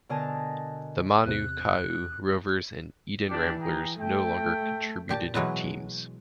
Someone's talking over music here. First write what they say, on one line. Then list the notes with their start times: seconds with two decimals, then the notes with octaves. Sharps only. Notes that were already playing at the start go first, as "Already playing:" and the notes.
The Manukau Rovers and Eden Ramblers no longer contributed teams.
0.09 B2 D3 A#4 D#5 G#5 A5
1.25 E2 C3 F#6
3.29 E3 D4 G4
3.60 G#4 G5 A#5
4.00 A3 G5
5.09 A#2 G4 A5
5.34 B2 E3 F#3 G#3 B4